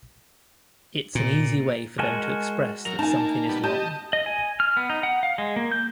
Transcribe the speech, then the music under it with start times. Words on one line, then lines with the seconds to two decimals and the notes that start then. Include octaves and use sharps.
It's an easy way for them to express that something is wrong.
1.15 A#2
1.99 G#3 F#4 A#4 G#5 A5
2.85 F#3 A#4 F7
2.99 A#3 D#4 G#5 A5
3.49 G3 B3
3.64 G4 D#5 A5 G6
4.13 D#5
4.26 G#5
4.60 F6
4.77 B3
4.90 D#4
5.03 F#5
5.23 F5
5.38 G#3
5.56 A#3
5.72 G6